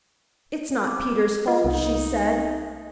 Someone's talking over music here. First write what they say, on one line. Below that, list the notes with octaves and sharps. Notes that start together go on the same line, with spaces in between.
"It's not Peter's fault," she said.
D6
F4 D#5
C2 D#4